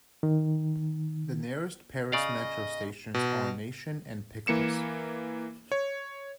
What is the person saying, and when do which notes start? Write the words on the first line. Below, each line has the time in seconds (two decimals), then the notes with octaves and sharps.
The nearest Paris metro stations are Nation and Picpus.
0.23 D#3
2.12 C#3 D5 D#5 F5
3.14 B2
4.47 E3 A#3 C#7 E7
5.72 C#5